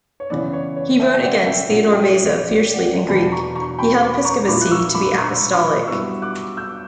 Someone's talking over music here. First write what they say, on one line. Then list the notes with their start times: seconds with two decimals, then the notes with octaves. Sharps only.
He wrote against Theodore Beza fiercely in Greek; he held episcopacy to be apostolic.
0.20 C#5
0.30 C#3 E3 B3 D5
0.45 D5
0.53 C#5
0.76 C#5
1.00 E5 G5
1.14 G5
1.23 D5 F#5
1.46 E5 G5
1.69 A#2 A#3 C#4 D5 F#5
1.93 E5 G5
2.09 D5
2.16 C#5
2.39 D5
2.57 D5
2.74 D5 F#5
3.08 E2 B2 F#3 A#3 D4 G5 B5
3.32 A#5 C#6
3.56 A#5 C#6
3.79 G5 B5
4.02 B5 D6
4.25 A#5 C#6
4.48 A#2 A#3 E4 B5 D6
4.61 F#6
4.71 C#6 E6
4.95 B5 D6
5.18 A#5 C#6
5.53 B5 D6
5.87 G2 F#3 B3 E4 C#6 E6
6.22 D6 F#6
6.57 E6 G6
6.69 D6